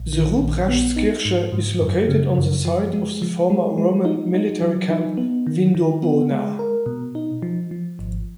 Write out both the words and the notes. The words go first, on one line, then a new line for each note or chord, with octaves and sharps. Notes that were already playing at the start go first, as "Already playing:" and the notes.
The Ruprechtskirche is located on the site of the former Roman military camp Vindobona.
Already playing: A#1
D#3
A#1
B3
D#4
G#2
G#2
F#2
C#3
F#2
F3
G#3
F3
G#3
G#3
D#4
D#4
F#3
D#4
B3
D#3
D#3
B3
G#3
A#4
B2
D#4
F3
F3
G#1